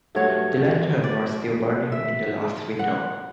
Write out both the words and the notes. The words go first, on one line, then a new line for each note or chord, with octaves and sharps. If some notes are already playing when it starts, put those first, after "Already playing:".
The lantern was still burning in the loft-window.
G2 F#3 A3 C#5
D5
E5
F#5